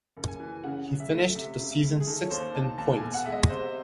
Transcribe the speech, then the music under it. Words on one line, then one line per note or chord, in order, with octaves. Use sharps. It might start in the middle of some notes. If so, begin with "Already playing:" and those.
He finished the season sixth in points.
F#1
G#5
E3
C#3 F#5
F#2
E5
A3
C3 E5
C#2
E5
G#3
G#4
D#3 A4
C#5
D#2 C5
D#4 A5
D#2 A5
G#5
E1
F#5
G#3 E5
D#5
C3 C5